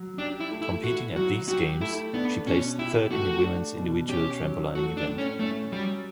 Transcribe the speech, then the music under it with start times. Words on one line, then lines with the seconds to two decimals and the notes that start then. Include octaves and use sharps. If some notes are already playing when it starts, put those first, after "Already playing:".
Competing at these games, she placed third in the women's individual trampolining event.
Already playing: F#3
0.18 D4 G4
0.40 E4
0.51 A3
0.62 E4
0.83 E4 F#4
1.16 F#3 F#4
1.48 F#4 G4
1.81 A3 E4
2.14 B3 D4
2.47 B2 C#4
2.79 E4 G4
3.11 A3 F#4
3.44 D4
3.77 B2
4.09 C#4 G4
4.42 F#3
4.75 A3 F#4
4.97 D4
5.07 A2
5.18 C#4
5.39 A3 C#4
5.72 F#3 G3